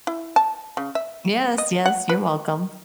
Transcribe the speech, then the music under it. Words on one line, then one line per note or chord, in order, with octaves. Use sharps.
Yes, yes. You're welcome.
E4
A5
C#3
E5
D#5
F#5
B4